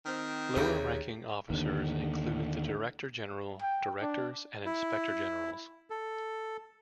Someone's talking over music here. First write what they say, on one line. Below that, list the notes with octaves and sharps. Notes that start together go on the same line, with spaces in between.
Lower ranking officers include the director general, directors and inspector generals.
D#3 C4
D#2 C#3 G4 E5 A#5 G6
D#2 D3
G5
D4
E4
A4